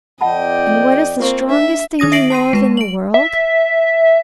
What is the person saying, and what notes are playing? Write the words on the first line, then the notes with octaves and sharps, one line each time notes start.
And what is the strongest thing you know of in the world?
F2 D5 D#5 F#5 G5 A5 B5
A#3 C4 F4 C#6
D4 E5
D#3 D#4 D#6 A#6 D#7
E5 A#6 C7 D7 F#7
A5 C6 C7 D#7
G#3 B4
D7 F#7
E5